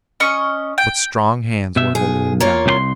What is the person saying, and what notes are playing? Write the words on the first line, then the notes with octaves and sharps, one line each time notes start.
But strong hands were holding him down.
C#4 D#5 C#6
G5
B2 E5
B1 G#4
A#3 F4 C#5
C2 G4 C6